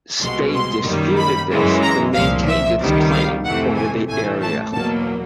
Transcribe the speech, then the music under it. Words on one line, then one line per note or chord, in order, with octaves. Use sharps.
Spain disputed this and maintained its claim over the area.
C2 B2 G#3 C6
C6
F#2 D#3 G3 A#3
B5
F#2 C#3 E3 G#3
A#5
C2 A#2 F3 F5
E5
C#2 C3 D#3 G3
F5
F2 C3 E3 A3 F#5
G#5
A1 A2 E3 A3 G#5
A5
E2 B2 F#3 A#3 A5